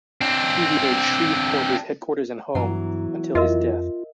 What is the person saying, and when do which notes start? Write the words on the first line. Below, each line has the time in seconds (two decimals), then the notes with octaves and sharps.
Peavy made Shreveport his headquarters and home until his death.
0.21 C4 D4
2.55 G2 E3 F#3 B3 F#5 A#5
3.35 F2 F4 A#4 D#5 E5